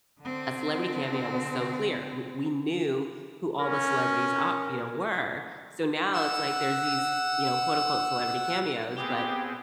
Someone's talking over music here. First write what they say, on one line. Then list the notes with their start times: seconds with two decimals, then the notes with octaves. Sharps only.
a celebrity cameo was so clear, we we knew who all the celebrities ar you know, were. So now it's like there's these, you know, quote unquote celebrity cameos, but,
0.20 D3 C4
3.59 C#4 A#4
6.14 F#5 E6
8.98 B3 C4 G4 G#4